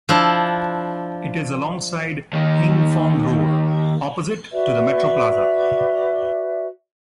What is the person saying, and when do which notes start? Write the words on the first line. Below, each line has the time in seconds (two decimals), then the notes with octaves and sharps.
It is alongside Hing Fong Road, opposite to the Metroplaza.
0.09 F3 D4 E4
2.33 D#2 D#3
4.52 F#4 B4 D5 E5